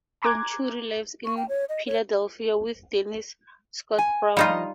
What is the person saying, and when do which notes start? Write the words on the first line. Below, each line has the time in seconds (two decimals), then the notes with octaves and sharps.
Venturi lives in Philadelphia with Denise Scott Brown.
0.22 G#5 A#5 C6 D6 F#6 G#6
1.25 C#6
1.37 G5
1.49 C#5
1.69 D#5
1.87 C#5
3.98 G#5
4.37 F3 G3 D#4 F4 D#5